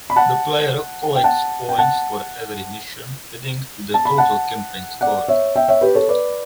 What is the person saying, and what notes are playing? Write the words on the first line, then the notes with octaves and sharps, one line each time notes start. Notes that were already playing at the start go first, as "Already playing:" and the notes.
The player collects points for every mission, adding to the total campaign score.
B5
F#5 A5
G5
F#5 A5
G5
F#5 A5
A5
B5
F#5 A5
D5 F#5
C#5 E5
E5 G5
C#5 E5
G4 B4
A4 C#5
B4 D5